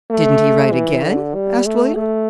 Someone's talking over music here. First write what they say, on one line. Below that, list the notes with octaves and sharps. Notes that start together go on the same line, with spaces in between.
"Didn't he write again?" asked William.
A3
E3
D3
G3
A3
A3